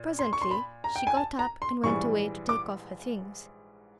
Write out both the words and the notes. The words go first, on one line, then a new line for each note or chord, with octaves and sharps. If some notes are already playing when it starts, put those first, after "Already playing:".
Presently she got up and went away to take off her things.
Already playing: A#2
C6
C#6
C6
B5
A#5
G5
G#5
A5
A#5
C6
A#1 G#2 E3 G3 C#6
D6